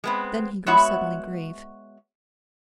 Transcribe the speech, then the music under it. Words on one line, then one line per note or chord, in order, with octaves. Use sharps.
Then he grew suddenly grave.
G#3 B3 C4
G#3 B3 F#4 C#5 E5 F#5